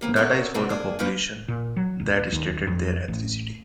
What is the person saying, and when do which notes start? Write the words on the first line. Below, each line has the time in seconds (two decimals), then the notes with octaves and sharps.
Data is for the population that stated their ethnicity.
0.01 C3 A#3 B3
0.16 B3 C#4 A4 A#4 C#5 D5
0.54 G#2 C3 G3 B3 C4 F#4
0.70 A#3 D4 G#4
0.99 A#3 C#4 D#4 F4 A#4 B4
1.48 A#2
1.76 F#3
2.00 D#1
2.32 D#2
2.67 F2
3.08 A1